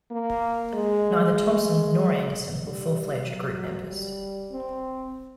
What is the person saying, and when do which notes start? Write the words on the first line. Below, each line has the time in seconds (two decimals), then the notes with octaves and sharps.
Neither Thompson nor Anderson were full-fledged group members.
0.11 A#3
0.74 G#3
2.63 G3
3.26 F#3
3.89 G3
4.52 C4